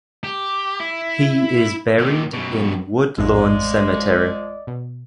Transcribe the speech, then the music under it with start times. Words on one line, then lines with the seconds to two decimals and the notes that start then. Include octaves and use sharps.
He is buried in Woodlawn Cemetery.
0.24 G4
0.80 E4
1.99 A#2 D#3
2.34 F#2 B2
3.17 A1 F2 A2 F3 G#3 D5 D#5
4.67 B2